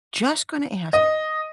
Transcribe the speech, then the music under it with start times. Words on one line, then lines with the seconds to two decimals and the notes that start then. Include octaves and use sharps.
Just gonna ask.
0.93 D#5